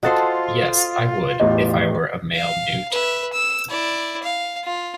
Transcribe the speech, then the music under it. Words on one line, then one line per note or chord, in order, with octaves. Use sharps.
Yes, I would, if I were a male newt.
F4 F#4 A4 C5 D#5 D#6 A6
A1 E2 G4 D#5
F5
B4 E5
E6
E4 D5
F5
F4